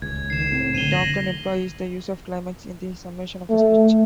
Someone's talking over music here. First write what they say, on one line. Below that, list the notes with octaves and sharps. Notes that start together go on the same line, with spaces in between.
It often employs the use of climax in the summation of a speech.
D#1 C#2 G#6
D#3 C7 E7
A2 C4
B1 D3 D#7 F7 G7
F1 A#6 F#7
A3